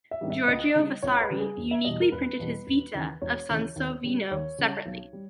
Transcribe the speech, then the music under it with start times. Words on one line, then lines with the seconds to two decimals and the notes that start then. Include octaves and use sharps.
Giorgio Vasari uniquely printed his "Vita" of Sansovino separately.
0.11 E5
0.21 G#2 D#3 G3
0.30 E5
0.48 C#2 D#5
0.75 C#3 G3
1.03 C#2 C#5
1.21 B4
1.30 C#3 G3
1.40 G#4
1.57 E1
1.71 E5
1.85 E2 B2 G3 D#5
2.02 A#4
2.12 E1 B4
2.39 E2 B2 G3
2.67 E1
2.94 D#2 C#3 E3
3.22 E1 C#5
3.49 D#2 C#3 E3
3.76 D#2
4.03 C#3 G3
4.31 D#2 C#5
4.58 C#3 G3
4.86 B1
5.13 G3